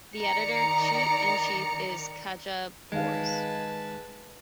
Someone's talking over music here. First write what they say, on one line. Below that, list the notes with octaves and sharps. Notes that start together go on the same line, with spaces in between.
The Editor in Chief is Katja Brose.
D#3 D5 A#5 C#7
D#3 G#3 B4 F5 A5